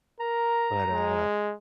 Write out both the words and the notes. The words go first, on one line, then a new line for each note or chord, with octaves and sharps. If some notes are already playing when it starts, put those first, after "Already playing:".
But, uh
A#4 A#5
G#3